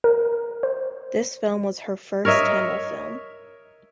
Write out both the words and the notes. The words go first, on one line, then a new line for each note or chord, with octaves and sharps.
This film was her first Tamil film.
A#4
C5
A#4 C#5 D#5 E5